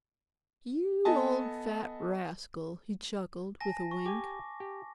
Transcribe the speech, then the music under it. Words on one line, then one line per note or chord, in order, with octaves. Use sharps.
"You old fat rascal!" he chuckled, with a wink.
B3 A4 D#5 G#5 A5
G#5 A5 A#6
C#6
G4 G5 G#5 D6
G4